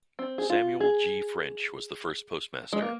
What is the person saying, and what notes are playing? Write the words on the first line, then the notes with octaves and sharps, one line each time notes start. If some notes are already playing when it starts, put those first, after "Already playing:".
Samuel G. French was the first postmaster.
C4
G#4
F4
G#4
G#3
A#3